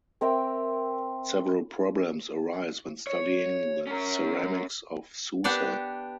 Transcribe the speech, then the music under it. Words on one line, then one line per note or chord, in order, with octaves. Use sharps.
Several problems arise when studying the ceramics of Susa.
C4 A#4 E5 G5
C#5
C#4 A#4
B3 D4 G4 D5